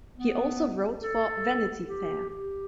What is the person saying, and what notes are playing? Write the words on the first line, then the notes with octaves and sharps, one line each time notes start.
He also wrote for "Vanity Fair".
B3
A4
G4
G4